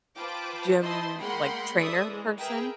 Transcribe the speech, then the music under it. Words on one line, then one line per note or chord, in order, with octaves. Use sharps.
gym, like, trainer person
F4 B4 C5 G5 A5 D6
E4 C5 D#5 A5 B5 C6
G#3 A#3 F#5 G5 B5 C6
A4 B4 C5 D5 E5 D#6
E3 G#3
G#4 A#4 B4 E5 G5